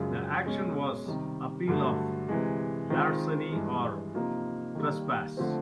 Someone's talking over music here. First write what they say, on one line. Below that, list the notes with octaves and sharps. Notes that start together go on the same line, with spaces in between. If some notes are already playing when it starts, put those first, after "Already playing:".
The action was appeal of larceny or trespass.
Already playing: F#2 C#3 F3 G#3
B2 G#3 C#4
C3 D#3 G3
G2 D3 F#3 A3
C3 E3 G#3
D#3 G#3 C4 F4
G2 E3 G#3
C3 F3 A#3 D#4
D#3 G3 A#3
D3 F3 A3 C4